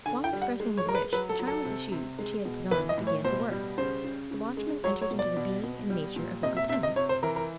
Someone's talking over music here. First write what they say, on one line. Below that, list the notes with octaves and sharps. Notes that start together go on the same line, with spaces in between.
While expressing his wish, the charm of the shoes, which he had put on, began to work; the watchman entered into the being and nature of the lieutenant.
D3 G#5
G5
G3
F#5
G#3
C#5
G#3 A#4
B4
F#3 B4
A4
F#3
A4
C3
C3
G#3
B2
E3 B4
D#5
A2
C#5
B2 C5
G3
C#3 C5
C#3
C#3
G#3
F#3 C#5
C#5
B2
D5
B2
B2
G3
A#2
C3 D#5
E5
C3 E5
D#5
C3 C#5
C5
E3 A#4
A#4